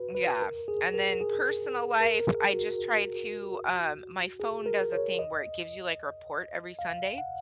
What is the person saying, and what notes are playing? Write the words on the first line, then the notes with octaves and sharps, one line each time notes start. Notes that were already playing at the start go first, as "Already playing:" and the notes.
yeah, and then personal life, I just try to, um my phone does a thing where it gives you, like, a report every Sunday
Already playing: F#4 B4
B4
A#4
G#4
A#4
G#4
A#4
G#4
F#4
G#4
A#4
C#5
D#5
F5
F#5